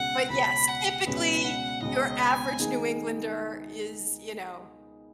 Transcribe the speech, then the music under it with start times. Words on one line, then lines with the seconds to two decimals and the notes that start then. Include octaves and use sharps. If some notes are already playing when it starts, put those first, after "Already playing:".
but yes, typically, your average New Englander is, you know
Already playing: C#2 B2 G#3 C#4 F#5
0.30 C#2 B2 G#3 C#4 G#4 B5
0.68 F#5
1.07 C#2 B2 G#3 C#4 G#4 B4
1.44 F#5
1.82 C#2 B2 G#3 C#4 G#4 D#5
2.20 G#5
2.58 D#3 G#3 B3 D#4 G#4